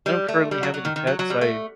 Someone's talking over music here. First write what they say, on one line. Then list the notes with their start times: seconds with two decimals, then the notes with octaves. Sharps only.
I don't currently have any pets. I
0.06 G3
0.29 A3
0.51 G3
0.63 F#3
0.74 F#3
0.85 D#3
0.96 D#3
1.07 F#3
1.19 F#3
1.30 G3
1.41 A3